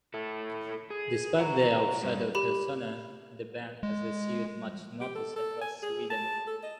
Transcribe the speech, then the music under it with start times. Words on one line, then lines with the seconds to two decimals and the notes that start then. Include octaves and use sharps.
Despite their outsider-persona, the band has received much notice across Sweden.
0.14 E4 A4
0.90 G#4
1.39 F#5 A#5
2.03 G2
2.35 G4 B5
3.83 G#3
5.01 G4
5.15 A4
5.36 A4
5.61 G#5
5.83 G#4
6.10 A5
6.47 A4
6.63 D#5